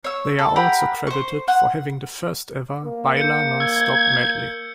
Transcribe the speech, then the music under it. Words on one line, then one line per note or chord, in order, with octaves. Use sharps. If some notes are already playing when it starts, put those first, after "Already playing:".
They are also credited for having the first ever baila non stop medley.
C#5 E6
A4
G4 A#4 F#5 B5
C5 C#6
F#5
A#3
G6 C#7
E6 G#6